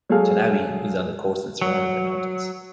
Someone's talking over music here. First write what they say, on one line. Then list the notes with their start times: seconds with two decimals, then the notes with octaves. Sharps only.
Tanabe is on the coast and surrounded by mountains.
0.09 F#3 G#3 G#4 A4 F5 F6
1.62 F#3